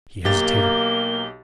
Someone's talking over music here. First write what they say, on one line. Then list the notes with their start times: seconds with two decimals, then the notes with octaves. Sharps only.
He hesitated.
0.25 B1 A#3 G4 A6 G7